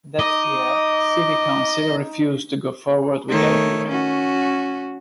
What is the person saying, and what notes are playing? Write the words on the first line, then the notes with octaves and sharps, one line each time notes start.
That year city council refused to go forward with the idea.
D#4 D#5 D6
D#3 A3 C#5
C#4 F#4